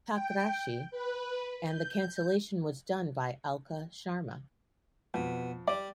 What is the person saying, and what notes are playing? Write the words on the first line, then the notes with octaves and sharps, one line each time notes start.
Pakrashi, and the cancellation was done by Alka Sharma.
G5
B4
G6
F2 B2
G3 D5